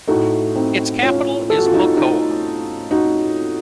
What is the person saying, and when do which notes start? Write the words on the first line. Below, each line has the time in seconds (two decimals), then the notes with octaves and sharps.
Its capital is Mocoa.
0.08 A2 A3 D#4 F#4
0.56 C4 D#4
1.03 C#4 F4
1.50 A4
1.59 F#4
1.66 F4
1.74 D#4 F#4
1.97 D#4 F#4
2.91 D#4 F#4